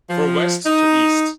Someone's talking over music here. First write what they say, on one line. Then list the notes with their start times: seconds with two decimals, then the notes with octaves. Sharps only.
For west to east.
0.10 F3
0.66 D#4